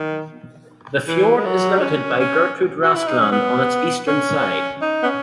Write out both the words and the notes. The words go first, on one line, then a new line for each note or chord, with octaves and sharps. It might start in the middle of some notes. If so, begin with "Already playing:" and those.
The fjord is limited by Gertrud Rask Land on its eastern side.
Already playing: D#3
E3
G#3
F#3
D#4
C#4
C#4
F#4
E4
D#4
C#4
B3
C#4
D#4
B3
C#4